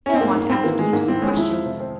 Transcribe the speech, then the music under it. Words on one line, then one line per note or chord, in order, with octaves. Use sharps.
He'll want to ask you some questions.
C#4
C4
G#2 A#3
G#2 A#3
G#2 C4
E3 A#3
E3 G#3
G#2 A#3
C4 E4
G#3 C#4
F2 E4
F3
C3
C4